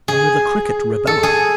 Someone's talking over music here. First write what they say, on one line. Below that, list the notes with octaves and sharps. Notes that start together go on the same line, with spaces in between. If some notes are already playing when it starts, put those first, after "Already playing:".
Only the cricket rebelleth.
G#4
A4
G#4